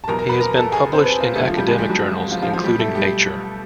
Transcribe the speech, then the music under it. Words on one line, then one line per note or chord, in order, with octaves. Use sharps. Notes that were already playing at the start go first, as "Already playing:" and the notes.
He has been published in academic journals including "Nature".
A5
E2 B2 F#3 A#4 A#5
A#4 A#5
B4 B5
A#4 A#5
A4 A5
G#4 G#5
C4 C5
B3 B4
A#3 A#4
F2 D3 F#3 A3 A4
F3 F4
G3 G4
G#3 G#4
G3 G4
F#3 F#4
F3 F4
F3 F4
F3 F4
B2 F#3 G3 G4
A3 A4
G3 G4